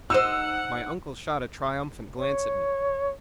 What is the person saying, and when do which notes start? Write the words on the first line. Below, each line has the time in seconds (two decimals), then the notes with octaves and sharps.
My uncle shot a triumphant glance at me.
0.10 D#4 C5 F#5 E6 E7
2.17 C#5